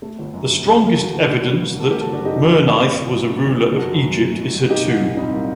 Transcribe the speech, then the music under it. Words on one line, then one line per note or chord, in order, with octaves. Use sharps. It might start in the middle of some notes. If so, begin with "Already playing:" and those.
The strongest evidence that Merneith was a ruler of Egypt is her tomb.
A3
G1
F#2
D3
A3
G1
A#4
A#3 F#4 A4
D2
D3
G3
A#3
D2
A4
A3 G4 A#4
F#4 A4
F#1
D4 F#4
F#2 D#4 G4
D3 F#4 A4
A3
F#1
G1
G1
F#2
D3
G1
G1
F#2 F#4 A4
F#2
F#3
A3
F#2
F#2 F#4
A#3 D#4 G4
C2
A#2
G3 C4 D#4
A#3